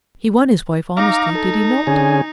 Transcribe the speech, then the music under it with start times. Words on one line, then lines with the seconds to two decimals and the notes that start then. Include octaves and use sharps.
He won his wife honestly;--did he not?
0.97 D#4 F5 A#5 D6
1.35 A4
1.87 D3 C#4 G#4 G#5